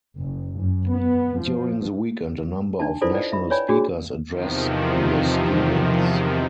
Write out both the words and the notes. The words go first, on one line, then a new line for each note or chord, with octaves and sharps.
During the weekend, a number of national speakers address the students.
F#1
F#2
B3
F3
D4 D#4 A5
E4 F4 A4 B4 C5 D5
D5 D#5
E5 B5
B4 C#5 D5 G5 G#5 B5
D4 F#4 G#4
E2 C3 D#3 F3